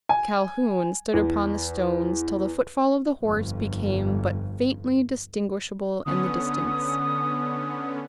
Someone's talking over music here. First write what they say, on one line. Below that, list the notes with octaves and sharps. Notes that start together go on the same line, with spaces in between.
Calhoun stood upon the stones, till the footfall of the horse became but faintly distinguishable in the distance.
G#5
E2
G1 F2
D3 B3 C#4 D#6